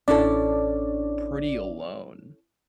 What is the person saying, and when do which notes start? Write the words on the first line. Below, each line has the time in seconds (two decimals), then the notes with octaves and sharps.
pretty alone.
0.08 A1 C#4 D4 E4 A4 D5